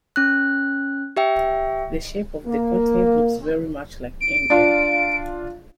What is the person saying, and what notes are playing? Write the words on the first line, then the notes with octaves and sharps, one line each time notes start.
The shape of the continent looks very much like India.
C#4 F#6
G4 E5 G5
A#3
D7
D4 F4